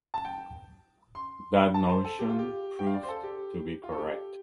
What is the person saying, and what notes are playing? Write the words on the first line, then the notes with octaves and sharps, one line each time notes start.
That notion proved to be correct.
A5
G5
C6
A5
C5
A4
G4
F4
G4
G5
F5
D5
C5
A4
G4
F4
A4
G4